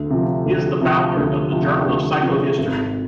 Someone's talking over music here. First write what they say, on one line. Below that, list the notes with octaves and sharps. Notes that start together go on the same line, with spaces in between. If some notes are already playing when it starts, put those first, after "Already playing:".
He is the founder of "The Journal of Psychohistory".
Already playing: D2
C3 F3
D2
C3 F3
D2
C3 F3
D2
C3 F3
G#1